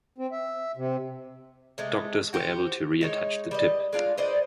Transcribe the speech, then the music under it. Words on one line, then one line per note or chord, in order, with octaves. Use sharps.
Doctors were able to reattach the tip.
C4
E5
C3
C3 G#3 A3
F#4 G4 C5
G#3 D#4 C#5
G3 B4 D#5
G#3 D4 F4 F5
B4 C5 D5 D#5